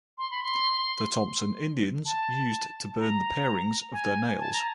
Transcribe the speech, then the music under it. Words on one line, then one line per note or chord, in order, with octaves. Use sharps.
The Thompson Indians used to burn the parings of their nails.
C6
B5
C6
A5
A#5
G#5
A5
A#5